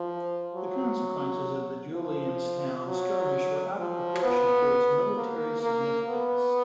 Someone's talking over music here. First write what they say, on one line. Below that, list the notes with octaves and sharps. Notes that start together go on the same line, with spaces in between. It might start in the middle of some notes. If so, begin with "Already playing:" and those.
The consequences of the Julianstown skirmish were out of proportion to its military significance.
Already playing: F3
F#3
F3
F#3
F3
B3
A#3
A#3
B3